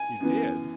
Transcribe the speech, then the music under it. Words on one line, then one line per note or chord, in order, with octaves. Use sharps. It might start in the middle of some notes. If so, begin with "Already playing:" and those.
"You did!"
Already playing: G#5
F#2 E3 B3